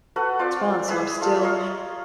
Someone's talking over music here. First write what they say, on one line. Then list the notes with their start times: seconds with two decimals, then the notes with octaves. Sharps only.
respond, so I'm still,
0.16 F#4 A4 B4 F#5
0.39 C4 F4 C5 D5
0.88 E4 G#4 B4 E5
1.21 F4 A4 E5
1.42 A#4 C#5 D#5 F5